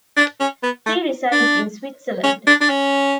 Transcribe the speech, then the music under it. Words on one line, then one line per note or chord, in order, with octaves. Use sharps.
He resides in Switzerland.
D4
C#4
B3
A3
D4
C#4
D4
D4
C#4